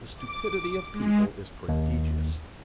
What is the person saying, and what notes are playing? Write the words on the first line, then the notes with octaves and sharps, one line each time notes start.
The stupidity of people is prodigious.
D6
G#3
D#2